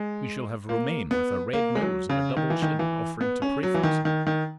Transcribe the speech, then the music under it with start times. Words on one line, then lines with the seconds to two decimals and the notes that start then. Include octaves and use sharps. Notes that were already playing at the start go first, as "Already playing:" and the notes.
We shall have Romayne with a red nose and a double chin, offering to pray for us next!
Already playing: G#3
0.69 A#3
1.11 B3
1.53 A#3
1.75 G#3
1.81 F#3
2.09 C#3
2.37 D#3
2.50 E3
2.62 D#3
2.79 E3
3.21 B3
3.42 C#4
3.63 F#3
3.74 E3
3.83 D#3
4.05 D#3
4.27 D#3